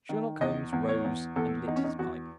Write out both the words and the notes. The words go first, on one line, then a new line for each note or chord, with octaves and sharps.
Sherlock Holmes rose and lit his pipe.
D#3
E2 D#5
E2
C#5
E2
E2 A4
E2 D#4
C#4
D#4
E2 F#4